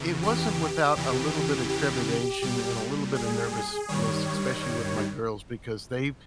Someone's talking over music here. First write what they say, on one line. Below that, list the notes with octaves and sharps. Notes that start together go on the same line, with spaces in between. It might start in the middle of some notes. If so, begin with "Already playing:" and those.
it wasn't without a little bit of trepidation and a little bit of nervousness, especially with my girls because they
Already playing: E2 C#3 E3
G4
E2 C#3 E3
G4
A#2 G3 G4
G#4
G2 D#3 G3 C#5
C#5